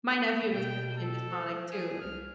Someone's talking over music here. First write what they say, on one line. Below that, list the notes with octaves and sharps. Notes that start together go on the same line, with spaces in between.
My nephew is heavy into Sonic too.
B2 G5
A4
F3
G#4
C2 F6